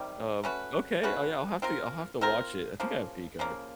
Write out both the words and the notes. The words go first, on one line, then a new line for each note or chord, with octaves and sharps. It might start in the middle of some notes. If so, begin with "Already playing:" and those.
uh, okay, I yeah, I'll have to I'll have to watch it. I think I have peacock.
Already playing: C3 D#3 G3
A3 C#4 F#4 B4
A3 C#4 F#4 B4
C4 F4 A#4
C4 F4 A#4
C#3 F3 A#3
C#3 F3 A#3